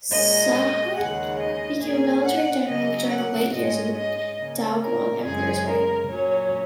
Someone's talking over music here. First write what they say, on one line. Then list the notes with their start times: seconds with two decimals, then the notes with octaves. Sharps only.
Sushun became a military general during the late years of the Daoguang Emperor's reign.
0.10 A#2 G#3 C#4 D#5
0.96 D#2 C#3 G#3 F#5
1.39 D#5
1.82 A#2 A#3 C#4 G#4
2.25 F#5
2.67 C#3 F#3 C#4 D#5
3.10 F#5
3.52 G#2 G#3 C#4 D#5
3.95 D#5
4.38 C#3 A#3 C#4
4.81 A#4
5.24 F#2 C#3 G#3 C#4 G#4
5.67 A#4
6.09 A#2 F#3 C#4 C#5